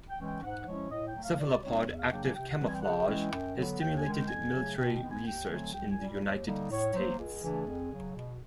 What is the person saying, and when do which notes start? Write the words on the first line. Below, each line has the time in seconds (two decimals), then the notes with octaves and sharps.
Cephalopod active camouflage has stimulated military research in the United States.
0.10 G5
0.18 E3 G#3 C#4
0.26 G5
0.42 G#2 F#5
0.66 F3 G#3 C#4 E4 C#5
0.90 A2 D#5
1.07 G5
1.15 F#3 A3
1.22 F5
1.38 B2 D5
1.62 G3 C4 D#4 C#5
1.87 E2 E5
1.99 F5
2.11 C#3 F#3 A#3 D4 G5
2.23 G#5
2.35 C3 G5
2.51 F#5
2.59 E3 G3 C4
2.67 G#5
2.75 G5
2.82 C#3 F#5
2.89 G5
3.08 E3 G#3 C#4 E4
3.32 F#2
3.56 D3 F#3 B3
3.80 D#2 G5
3.97 G#5
4.05 D#3 G#3
4.13 G5
4.28 F2 G#5
4.52 C#3 F#3 A3
4.77 B2 G5
4.93 G5
5.01 G#3 B3
5.10 G#5
5.25 D#2 G5
5.49 D3 F#3 A3 C4 G#5
5.73 C2 G5
5.89 G#5
5.98 A#2 G3
6.22 D#2
6.46 D3 G3 A#3 D#4
6.71 A2 C#5
6.94 F#3 A#3 C5
7.19 C#2 G#4
7.43 C#3 E3 A3 D4
7.67 F2
7.92 C#3 F#3
8.15 B2